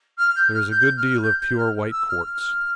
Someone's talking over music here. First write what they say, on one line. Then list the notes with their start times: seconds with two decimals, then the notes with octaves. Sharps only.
There is a good deal of pure white quartz.
0.18 F6
0.35 G6
0.53 F6
0.70 G6
0.96 F6
1.22 G6
1.39 G6
1.57 F6
1.91 E6
2.08 F6
2.25 F6